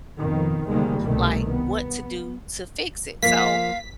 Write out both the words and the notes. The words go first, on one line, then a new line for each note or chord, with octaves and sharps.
like, what to do to fix it. So,
F2 B2 D#3 F3
D2 C3 D#3 G3 G#3 A#3
C2 B2 D#3 A3
B3
F3 A#3 F5 B6